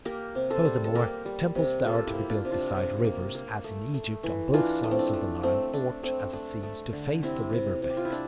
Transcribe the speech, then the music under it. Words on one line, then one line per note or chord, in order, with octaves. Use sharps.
Furthermore, temples that are to be built beside rivers, as in Egypt on both sides of the Nile, ought, as it seems, to face the river banks.
A#3 G4 A#4
C3
A4 C5
G3
A4
A#3 G4 A#4
G3
C3
A#3 F4 A4
E4 G4
A#3
D4 F4
C3
D4 F4
C3
A#3
A#3
A3
A3
E3
E3 D4 F4
A3
C4
D4
A3
A3 C4
A3 D4
A3 C4
A3 D4
A3
D3
C3 C4 E4
C3
C3
G4
F4
E4
D4